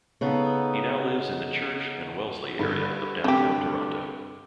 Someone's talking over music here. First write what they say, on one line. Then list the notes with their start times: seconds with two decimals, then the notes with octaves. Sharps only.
He now lives in the Church and Wellesley area of downtown Toronto.
0.21 C#3 B3 D#4 A4
2.59 G2 D3
3.24 C3 A3 D4 G4